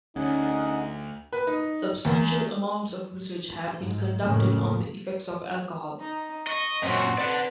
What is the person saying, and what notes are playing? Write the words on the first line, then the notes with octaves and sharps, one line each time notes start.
Substantial amounts of research have been conducted on the effects of alcohol.
D2 C#4 D#4 G#4 F#5
B4
D#4
E2
G#2
F2 A2 C#3 A3 A#3
D#4
D#5 C#6
F#2 A#2 C4 F#4
B4 D5 F#5